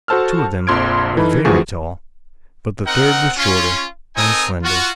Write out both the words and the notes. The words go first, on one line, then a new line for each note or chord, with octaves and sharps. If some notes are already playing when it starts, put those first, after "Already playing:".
Two of them were very tall, but the third was shorter and slender.
F#4 A4 C5 A5 E6 F6
A#1 F2 C6 F6 G#6 D7
E3 D#4 A4 B5
D2 E3 F3 F#4 G#4 C#6
C4 D#4 A#4 F#5
C#4 F4
C4 D#4 A4 A#4 G#5 D#6
F4 F#4